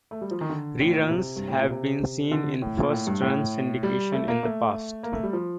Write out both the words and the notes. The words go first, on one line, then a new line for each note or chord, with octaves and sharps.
Reruns have been seen in first run syndication in the past.
A3
G3
F3
D#3
D3
A2
A2
A#2
C3
G2
A2
A#2
C3
D3
A2
A#2
A2
G2
A2
G3
A3
A#3
A3
A#3
A3
G3
F3